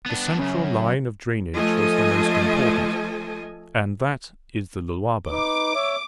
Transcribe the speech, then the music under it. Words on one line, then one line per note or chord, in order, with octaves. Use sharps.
The central line of drainage was the most important, and that is the Lualaba.
B3 D4
C2 F#2 C#3 C#4
F3 A3 A4 D#5 G#5
D#4 B4 D6
C#5 E5